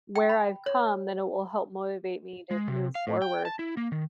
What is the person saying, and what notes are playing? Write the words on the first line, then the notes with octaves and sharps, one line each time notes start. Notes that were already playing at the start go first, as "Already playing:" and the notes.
where I've come, then it will help motivate me to move forward.
G5
B5
C#5
G#3
C3
F5
A2
G5
A5
E4
A#3
D#3